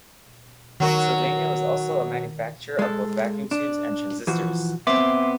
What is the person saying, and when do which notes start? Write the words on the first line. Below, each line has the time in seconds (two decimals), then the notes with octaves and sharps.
Sylvania was also a manufacturer of both vacuum tubes and transistors.
0.80 D#3 F#3 F#4 A#4
2.79 G#3 A4
3.51 D4
4.27 E3 F3 F#4
4.87 B3 C4 E5 C6 D6